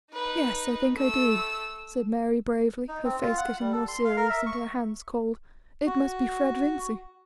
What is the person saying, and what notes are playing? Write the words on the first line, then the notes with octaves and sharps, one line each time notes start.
"Yes, I think I do," said Mary, bravely, her face getting more serious, and her hands cold; "it must be Fred Vincy."
D#4 B4
A3 E6
D#4
C4
F4
F#5
G3
A4
C6
F5
A#4
E5
C#6
F#4